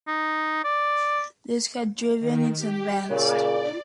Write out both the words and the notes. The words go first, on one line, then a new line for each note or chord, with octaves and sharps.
This has driven its advance.
D#4
D5
D#3
G4
A#2 C#3 D5